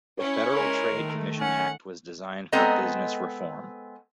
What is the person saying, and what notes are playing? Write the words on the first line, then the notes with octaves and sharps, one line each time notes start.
The Federal Trade Commission Act was designed for business reform.
C#4 E4 C#5
G#3 A#4
D#3 A3
C#4 F#5
G#3 B3 C4 A4 D#5 A#5